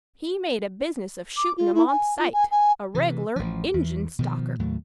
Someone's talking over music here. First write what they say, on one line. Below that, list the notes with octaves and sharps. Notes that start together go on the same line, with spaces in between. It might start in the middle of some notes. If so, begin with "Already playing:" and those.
He made a business of shootin' 'em on sight--a reg'lar Injun stalker!
D6
F4
E4
G#5
F4
G#5
G#5
C3 E3
A1 F3
E2 E3
B2 D#3 F3
D#2 A2 F#3 A3